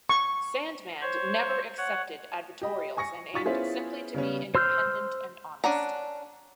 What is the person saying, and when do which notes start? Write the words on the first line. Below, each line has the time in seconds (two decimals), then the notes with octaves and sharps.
Sandman never accepted advertorials and aimed simply to be independent and honest.
0.09 C#6
1.02 C5 C#5 C#6
1.78 C#5 F#5
2.62 G4 D#5 B5
2.97 G#5 C#6 A#6 C#7
3.33 D#4 F4 F#4 C#6 A6 B6
3.45 B3 C#4 E4 F4 G#4 C5
4.14 C#3 G3 B3 C#4
4.55 C5 C6 E6 F6 G6
5.64 C#4 D4 F#5 A#5